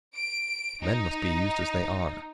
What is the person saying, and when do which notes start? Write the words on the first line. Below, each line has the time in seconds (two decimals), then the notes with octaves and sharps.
Men must be used as they are.
0.16 D7
0.83 D#4